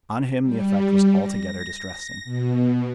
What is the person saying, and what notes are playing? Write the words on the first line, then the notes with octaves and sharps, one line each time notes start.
On him the effect was altogether distressing.
G3
A#6
B2